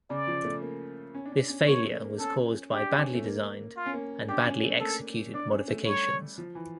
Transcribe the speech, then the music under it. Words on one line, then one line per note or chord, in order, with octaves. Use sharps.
This failure was caused by badly designed and badly executed modifications.
C#3 D5
F3
A3
A#3
C#4
D4
C#4
C#4
A#3 C#5
A3
A#3
C#4 A4
D4 G4
C#4
A3
A#3
F4
C#4
A#3
D4 G4
C#4
A3
A#3 A4
D4 D5
C#4
A3
G3 C#5
F3
E3